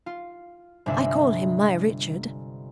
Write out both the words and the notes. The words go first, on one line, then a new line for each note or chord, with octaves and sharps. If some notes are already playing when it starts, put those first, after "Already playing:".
I call him my Richard!
F4
G1 C3 G#3 D4 E5 F#6